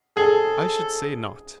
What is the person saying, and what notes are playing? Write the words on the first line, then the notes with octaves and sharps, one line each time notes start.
I should say not.
G#4 A4